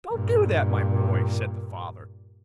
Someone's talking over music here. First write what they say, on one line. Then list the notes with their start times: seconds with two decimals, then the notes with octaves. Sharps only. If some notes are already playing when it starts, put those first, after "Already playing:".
"Don't do that, my boy," said the father.
0.12 G2 A#2